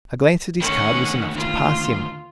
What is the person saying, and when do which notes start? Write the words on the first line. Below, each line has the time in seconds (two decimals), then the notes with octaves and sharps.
A glance at his card was enough to pass him.
0.60 D2 D#3 C#4 F#5
1.35 F4